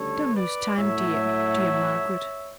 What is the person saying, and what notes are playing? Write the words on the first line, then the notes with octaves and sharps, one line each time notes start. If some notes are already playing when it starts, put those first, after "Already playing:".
Don't lose time, dear, dear Margaret.
Already playing: D2 C#3 G3 A4 C#5
B4 D5
A2 F#3 A3 C#5 E5